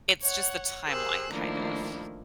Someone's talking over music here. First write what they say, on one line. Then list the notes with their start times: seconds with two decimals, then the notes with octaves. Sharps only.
it's just the timeline kind of.
0.22 C#5 F#5
0.86 G4 G#4 A#4 C5 E6 F#6
1.33 D#3 F3 A3 A#3 D4 E4